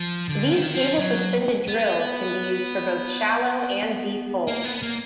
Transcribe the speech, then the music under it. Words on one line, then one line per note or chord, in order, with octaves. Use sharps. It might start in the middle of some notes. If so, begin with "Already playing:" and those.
These cable-suspended drills can be used for both shallow and deep holes.
Already playing: F3
D3
D#3
F3
F#3
B3
A#3
B3
A#3